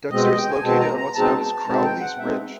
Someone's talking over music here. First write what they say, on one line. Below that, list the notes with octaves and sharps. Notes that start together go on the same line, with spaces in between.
Dexter is located on what is known as Crowley's Ridge.
B2 G#3 C4 D#5
D#5
G5
G#5
B2 G#3 C4 A5
A#5
A#5
B2 G#3 C4 D#4 A5
A5
A#5
B2 G#3 C4 D#4 A5
G5
F#5
B2 G#3 C4 D#4 E5